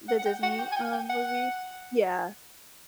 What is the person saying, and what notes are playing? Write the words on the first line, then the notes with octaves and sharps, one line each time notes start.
The Disney, um, movie. Yeah.
F#5
F#5
G5
F#5
G5
G#5
G5
G5
F#5